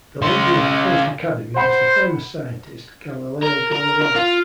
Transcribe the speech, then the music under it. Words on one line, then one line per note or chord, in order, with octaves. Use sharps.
The leader of the first academy was the famous scientist Galileo Galilei.
C#3 C6
C5 F#5 B5
A#4
A#4
A#4
F4